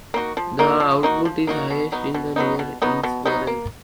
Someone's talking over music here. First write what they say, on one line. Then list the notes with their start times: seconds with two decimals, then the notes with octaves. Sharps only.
The output is highest in the near infrared.
0.14 A#3 D#4 F#4
0.37 F3
0.59 A#3 D#4 F#4
0.80 F3
1.03 A#3 D#4 F#4
1.25 F3
1.47 A#3 D#4 F#4
1.70 B2
1.92 F#3 B3 D#4
2.14 B2
2.36 F#3 B3 D#4
2.59 B2
2.82 F#3 B3 D#4
3.03 B2
3.26 F#3 B3 D#4
3.47 A#3